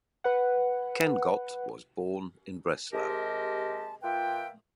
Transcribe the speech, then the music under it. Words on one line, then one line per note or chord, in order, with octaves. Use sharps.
Kenngott was born in Breslau.
B4 F#5
C3 G#3 G4 A#4 D#5 A5
A#2 F4 B4 E5 G5